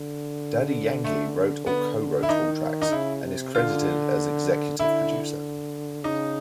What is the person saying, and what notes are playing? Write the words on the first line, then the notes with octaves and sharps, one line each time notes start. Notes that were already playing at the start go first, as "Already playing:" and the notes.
Daddy Yankee wrote or co-wrote all tracks, and is credited as executive producer.
Already playing: D3
A3
D3 B3
E4
D#3 D#4
D#4
C#3 E4
C3
D3 F4
D3 E4
C#3 D#4